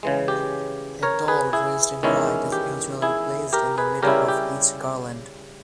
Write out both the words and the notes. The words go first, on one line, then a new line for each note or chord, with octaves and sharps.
A doll dressed in white is usually placed in the middle of each garland.
C#3 E3 G#3
G4
A#4 C#5
G#4 B4
E4 G#4
E2 D#3 G#3 C#4 E4
G4
E4 G#4
G4 A#4
G#4 B4
C#3 G3 C#4 E4 G4 A#4
G4